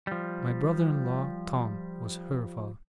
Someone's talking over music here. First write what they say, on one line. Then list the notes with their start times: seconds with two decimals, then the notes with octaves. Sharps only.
My brother-in-law, Tom, was her father.'
0.07 F3 G3